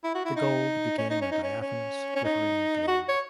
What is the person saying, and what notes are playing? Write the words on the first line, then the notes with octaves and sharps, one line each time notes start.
The gold became a diaphanous, glittering globe.
E4
F#4
E4
D#4
C#4
D#4
C#4
D#4
C#4
C#4
C#4
D#4
F#4
C#5